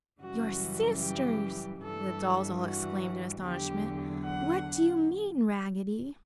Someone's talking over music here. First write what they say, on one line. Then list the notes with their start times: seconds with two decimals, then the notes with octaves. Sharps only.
"Your SISTERS!" the dolls all exclaimed in astonishment, "What do you mean, Raggedy?"
0.21 F#2 C#3 E3 G3 F#4
1.02 G4
1.83 G2 E3 G3 A4
2.62 F#4
3.43 E2 D3 F#3 G4
4.24 F#5